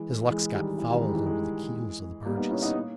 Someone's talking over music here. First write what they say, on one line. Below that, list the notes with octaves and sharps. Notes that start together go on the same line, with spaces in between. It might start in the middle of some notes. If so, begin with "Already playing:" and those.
His luck's got fouled under the keels of the barges.
Already playing: E3 G#3
E3 G#3
D#3 G3
E3
D#3 G3
E3 G#3
E3 G#3
E3 G#3
G3 A#3
B3 D#4
C#4 E4
B3 D#4
A#3 C#4